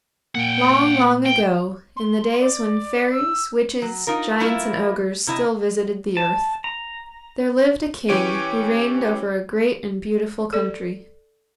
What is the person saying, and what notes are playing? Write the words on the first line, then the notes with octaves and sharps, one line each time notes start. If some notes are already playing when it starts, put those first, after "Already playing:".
Long, long ago, in the days when fairies, witches, giants and ogres still visited the earth, there lived a king who reigned over a great and beautiful country.
A#2 A#3 F#5 G5
G5
C6
D5
E6
F#3
D#4 F4 A#4
G3 A3 A#3 E4 F4 E5
C3 E4 D#5
A5
A#5
E3 C#4 G4 C#5 D7 D#7
A4 D5